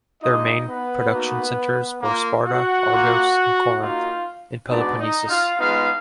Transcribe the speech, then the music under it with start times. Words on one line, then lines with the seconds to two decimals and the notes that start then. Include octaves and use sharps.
Their main production centres were Sparta, Argos and Corinth, in Peloponnesus.
0.22 G#3 D4 D#4 F4 D#5
0.67 B3 B4
1.12 A#3 D#4 F#4
2.01 A#3 F4
2.46 F#4 F#5
2.90 A#3 F4
3.80 A#3 D#4 F4 F#4 F5
4.69 G#3 B3 D4 D#4 F#4 D5
4.99 D#4 D#5
5.29 F4 F5
5.59 G#3 B3 D#4 F4 F5